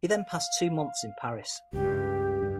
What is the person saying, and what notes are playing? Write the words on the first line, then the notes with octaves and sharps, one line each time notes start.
He then passed two months in Paris.
F5
C#2 G2 G4
G2